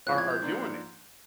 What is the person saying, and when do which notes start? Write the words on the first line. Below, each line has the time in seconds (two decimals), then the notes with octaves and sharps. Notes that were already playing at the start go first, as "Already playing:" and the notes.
are are doing it.
0.06 A2 F3 G#3 C4 F#6
0.18 G#6
0.30 G6
0.42 G#2 F3 A#3 D4